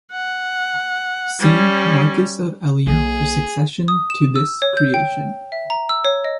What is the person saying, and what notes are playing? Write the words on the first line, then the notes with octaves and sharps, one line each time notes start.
See Marquess of Ely for succession to this creation.
F#5
G3 C#4
B1 A#3 G#4
D#6
E7
E6
C#5
G6
G5
E5
A#5
E6
C#5
D#5